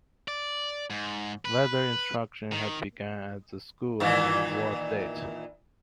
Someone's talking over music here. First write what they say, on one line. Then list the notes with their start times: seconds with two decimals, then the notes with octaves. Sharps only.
Whether instruction has begun at the school, and on what date.
0.28 D5
0.90 G#2
1.45 B4
2.52 D#3
4.00 A#2 D#3 E3